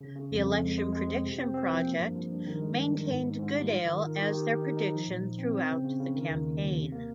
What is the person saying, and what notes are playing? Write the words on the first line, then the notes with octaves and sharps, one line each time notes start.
The Election Prediction Project maintained Goodale as their prediction throughout the campaign.
C#3
C#3
F2
F2
G#3
G#3
G#3
C4
C3
C4
C4
F3
A#3
G2
F3
G2
D#3
G#3
G2
D#3
G#2
G#2
G#2
G3
F4
D#3
D#3
D#3
G4
G4
D#4
D#4
F3
A#2
F3
C4
C4
C#3
C#3
C#3
D#3
D#2
D#2
D#2
C3
A#3